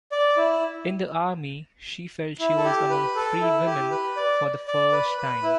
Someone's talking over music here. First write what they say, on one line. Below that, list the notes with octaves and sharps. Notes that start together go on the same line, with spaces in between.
In the army, she felt she was among free women for the first time.
D5
E4
E4
A4
G4
B4
A4
E4
G4
B4
D5
D5
B4
B4
E4